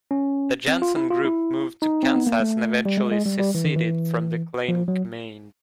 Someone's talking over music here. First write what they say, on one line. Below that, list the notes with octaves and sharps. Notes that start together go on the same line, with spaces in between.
The Jansen group moved to Kansas and eventually seceded from the Kleine Gemeinde.
C#4
C4
F4
E4
F4
E4
D#4
C4
B3
A#3
A3
G3
G#3
G#3
G3
G3
E3
D#3
E3
F3
F#3